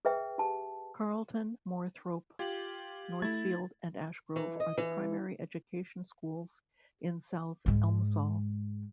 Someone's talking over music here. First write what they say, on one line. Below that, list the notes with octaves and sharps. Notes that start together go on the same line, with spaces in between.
Carlton, Moorthorpe, Northfield and Ash Grove are the primary education schools in South Elmsall.
G#4 B4 E5 G5
G4 A5
F4 G4 G#6 F#7
A3 E4 G#6 A6
E3
D#5
E3
G#2 G#3